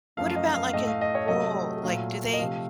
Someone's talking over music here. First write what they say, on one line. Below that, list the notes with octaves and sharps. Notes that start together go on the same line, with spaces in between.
What about, like, in school, like, do they
F#2 F3 A3 F5
D#5
F5
A2 A3 D#5
F5
D#5
C#5
C3 F#3 A3 D#5
A#2 F#3 A3 F5
D#5
C3 F3 A3 F5